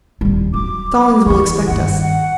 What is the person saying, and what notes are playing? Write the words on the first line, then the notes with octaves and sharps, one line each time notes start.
Stallings will expect us.
D#1 G3
F#3 D6
D3 E3 C#6
G2 D#3 F#5
F#5